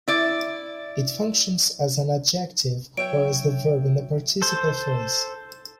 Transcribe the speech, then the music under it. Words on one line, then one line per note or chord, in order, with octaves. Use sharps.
It functions as an adjective or as the verb in a participial phrase.
E4 D5
F#3 C#5 E5 G5 D7
A4 C5